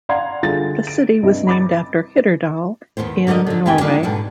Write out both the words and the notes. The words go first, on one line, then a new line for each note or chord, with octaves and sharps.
The city was named after Hitterdal, in Norway.
D5 F5 F#5 A#5 C6 G#6
D3 G3 E4 F4 G#4 A6
D7
G2 C3 E4 D#5
B5 D6 A6
D#2 B2 D#3 B3 C5
D3 G3 F#4 A#4 D#5
D3 F#3
F2 C#3 B3 G4 G5 G#5
D#3 G3 A#3 D4 D#4 F4
G#2 B2 D3